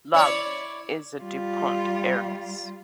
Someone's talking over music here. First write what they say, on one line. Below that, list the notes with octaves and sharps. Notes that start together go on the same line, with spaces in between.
Love is a DuPont heiress.
E4 C#5 D5
G3 F4